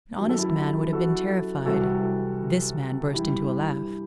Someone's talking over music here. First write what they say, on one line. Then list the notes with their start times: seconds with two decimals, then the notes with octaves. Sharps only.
An honest man would have been terrified; this man burst into a laugh.
0.18 F#2 D#3 F#3 G4
0.29 A4
0.38 E4 G4
0.93 F#4 A4
1.66 C2 C3 E3 G3 F#4 A4
3.14 G2 E3 G3 E4 G4